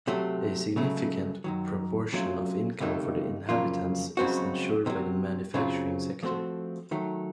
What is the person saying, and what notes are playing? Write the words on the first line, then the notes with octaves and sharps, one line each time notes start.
A significant proportion of income for the inhabitants is ensured by the manufacturing sector.
C3 F#3 A3
C#2 C#3 F#3 A3
F#2 D#3 F#3
C3 F#3 A3 C#4 F4
C#2 C3 D#3 A3
F2 C#3 F#3 A#3 F4
C#2 C#3 F#3 C4 F#4
C3 D#3 F#3
F#2 C#3 F#3 C4 F4
F3 A3 C4 F#4 C5
D#3 F#3 A3